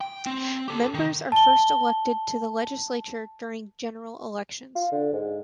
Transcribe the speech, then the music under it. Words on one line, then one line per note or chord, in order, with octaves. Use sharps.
Members are first elected to the legislature during general elections.
G5
C4
G4 A4
D#3
A5 G7
F4
D3
G#2